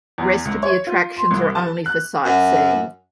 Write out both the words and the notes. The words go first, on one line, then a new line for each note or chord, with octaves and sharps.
Rest of the attractions are only for sightseeing.
E2
C#2
C#5
F4
C6
C2
A5
F#6
F#2